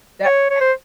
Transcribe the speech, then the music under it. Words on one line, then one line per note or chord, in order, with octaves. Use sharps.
that eh
C#5
C#5
C5